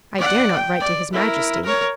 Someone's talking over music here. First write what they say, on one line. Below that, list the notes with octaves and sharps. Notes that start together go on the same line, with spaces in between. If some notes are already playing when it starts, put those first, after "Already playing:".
"I dare not write to his majesty."
D5 F#5
G5
D5
E4 A#4
A#4 C#5